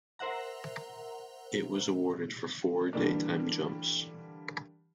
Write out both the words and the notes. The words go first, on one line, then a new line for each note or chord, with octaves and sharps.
It was awarded for four daytime jumps.
A#4 C5 E5 F#5 A#5
D3 E3 G3 A#3 D4